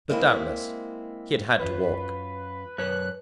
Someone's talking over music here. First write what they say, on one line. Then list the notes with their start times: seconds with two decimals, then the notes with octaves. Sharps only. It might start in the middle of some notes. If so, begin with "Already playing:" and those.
But, doubtless, he had had to walk.
0.09 G#3 A#3 C4 E4
1.59 F#2 F4 B4 C#5
2.78 F#2 B4 C#5 F#6